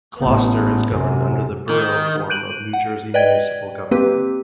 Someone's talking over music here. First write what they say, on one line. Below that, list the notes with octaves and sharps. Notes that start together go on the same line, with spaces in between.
Closter is governed under the Borough form of New Jersey municipal government.
A1 B3
F#2 C3
D#3
F#6 G6 D7 D#7 F#7
F#5
B4 D5 D#5 G5 G#6
A#3 C4 G4 B4